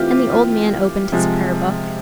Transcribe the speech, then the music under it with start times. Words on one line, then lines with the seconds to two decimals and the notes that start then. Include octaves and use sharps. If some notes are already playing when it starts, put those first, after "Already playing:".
And the old man opened his Prayer-Book.
Already playing: E3 A3 C4 F4 G4
0.33 F4
1.12 C3 F3 G#3